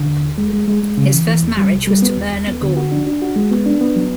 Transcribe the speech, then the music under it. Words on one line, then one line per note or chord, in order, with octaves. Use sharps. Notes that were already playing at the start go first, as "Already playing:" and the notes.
His first marriage was to Myrna Gordon.
Already playing: D3
D#2
D#2
G#3
G#3
G#3
G#3
C#3
E3
E3
E2
G3
C2
G3
B3
D#2
D#2
B3
D3
F#4
D4
D4
F#4
G#3
B3
D4
B3
F#3